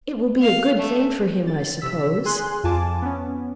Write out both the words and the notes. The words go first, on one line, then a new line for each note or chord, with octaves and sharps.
"It will be a good thing for him, I suppose."
F5
A3
A6
C3 E6 B6
G#4 G#5 C6 F#6
F2 F4 G#5 A5 D6
B3 C#4